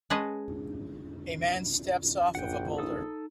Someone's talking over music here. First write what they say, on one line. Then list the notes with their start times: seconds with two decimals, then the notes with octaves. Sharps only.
A man steps off of a boulder.
0.10 G#3 C#4 G#4 B4 D#5 A5
2.35 A#1 F#2 F#5 G5
2.78 D#4 A4 D#6